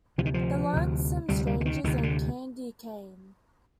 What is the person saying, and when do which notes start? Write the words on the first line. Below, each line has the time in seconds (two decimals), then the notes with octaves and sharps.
The Lonesome Strangers, and Candye Kane.
0.18 D2 C3 F3
0.25 D#3
0.34 F3
0.73 D2 C3
1.29 D2 C3 G3
1.47 G3
1.61 D3
1.65 D#3
1.84 D2 C3 D#3
1.97 D#3
2.03 D3